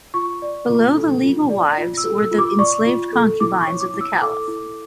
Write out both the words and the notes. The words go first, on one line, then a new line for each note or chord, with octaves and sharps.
Below the legal wives were the enslaved concubines of the Caliph.
F4 C#6
D5
F4
A4
F4
D5
F4
E6
A4
E6
F4
D6
D5 C#6
F4
A4
E4 D6
C#6
C#5
D6
E4
E6
A4 D6
E4